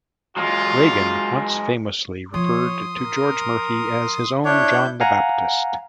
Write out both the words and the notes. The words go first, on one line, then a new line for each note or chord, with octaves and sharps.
Reagan once famously referred to George Murphy as his own "John the Baptist".
F#3 G#3 F4
F3 C#5 C6 D#6
A#4
D4 E4 C#5 G6
F5 F#5 G#5 A#5